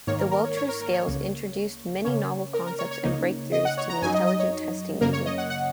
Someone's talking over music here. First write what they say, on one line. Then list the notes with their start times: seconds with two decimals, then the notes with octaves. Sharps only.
The Wechsler scales introduced many novel concepts and breakthroughs to the intelligence testing movement.
0.07 G#2 D#3 A#3 C#5
0.19 A#4
0.32 A#4
0.44 C#5
0.57 C#5
0.69 A#4
0.81 A#4
0.93 C#5
1.06 C#2 C#3 A#3
2.04 C#3 A#3 C#4 C#5
2.54 A#4
2.66 A#4
2.79 C#5
2.91 C#5
3.03 C#2 C#3 A#3 D#4
3.52 D#5
3.65 F#5
3.78 C#5
3.90 A#5
4.02 F#2 F#3 D#4 G#5
4.15 D#5
4.27 D#5
4.39 C#5
5.01 F#2 C#3 A#3 A#4
5.13 C#5
5.26 D#5
5.38 F#5
5.50 F#5